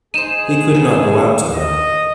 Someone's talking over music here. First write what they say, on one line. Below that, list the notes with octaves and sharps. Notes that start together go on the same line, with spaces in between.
He could not go out to her.
D#4 G#4 C5 D#7 E7
D#3 B3
D#5